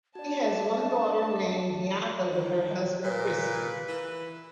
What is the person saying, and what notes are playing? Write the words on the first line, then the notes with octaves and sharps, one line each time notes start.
She has one daughter named Bianca with her husband, Christie.
D4 F#4 D5 A5
D#3
A#2 B4
E3